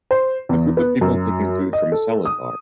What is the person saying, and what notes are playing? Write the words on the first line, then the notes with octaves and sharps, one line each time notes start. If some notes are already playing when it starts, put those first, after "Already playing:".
A group of people taking food from a salad bar.
C5
E2
B3
F#2
D#5
A4
D#6